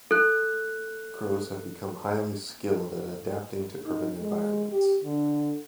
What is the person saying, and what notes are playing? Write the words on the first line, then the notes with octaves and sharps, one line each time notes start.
Crows have become highly skilled at adapting to urban environments.
A4 F#6
D#4
G#3
G4
D3